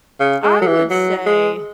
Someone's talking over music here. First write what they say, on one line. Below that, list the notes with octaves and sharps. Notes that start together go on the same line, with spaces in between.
I would say,
C#3
G#3
F#3
E3
F#3
G#3